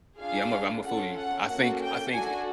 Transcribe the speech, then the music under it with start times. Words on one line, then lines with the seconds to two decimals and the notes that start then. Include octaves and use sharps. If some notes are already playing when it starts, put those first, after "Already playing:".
yeah, I'm a ve I'm a foodie, I think, I think
0.18 D4 F4 G#4 F5
0.84 C#4 F4 A4 F#5
1.16 F#5
1.47 A#3 C#4 F#4 A4 F#5
1.80 G5
2.12 A3 D4 F#4 A4 G#5